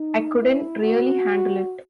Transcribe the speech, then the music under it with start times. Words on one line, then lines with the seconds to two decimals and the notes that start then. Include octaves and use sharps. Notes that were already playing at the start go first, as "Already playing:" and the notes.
I couldn't really handle it.
Already playing: D#4
0.38 E4
0.83 F#4